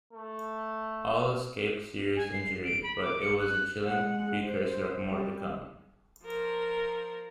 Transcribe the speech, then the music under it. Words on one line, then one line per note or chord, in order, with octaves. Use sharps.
All escaped serious injury, but it was a chilling precursor of more to come.
A3
G#5
C7
D7
B5
D6
C#7
F#6
G#3 F#5
C5
G3
F3 A#4